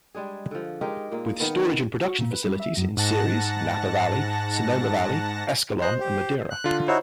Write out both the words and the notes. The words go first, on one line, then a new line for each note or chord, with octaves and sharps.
With storage and production facilities in Ceres, Napa Valley, Sonoma Valley, Escalon and Madera.
G3 G#3 D4 G#4
D3 F3
G#3 D#4 G4 A#4
A#2 G#3 A#3
D#3 B3
F#4
A#2
B4
G3
E5
F#2
G#2 F#5 A5 A#6
C5 D#5 F#6
G4
F#6
D3 F4
D#4 E4 F#4 C5 C#5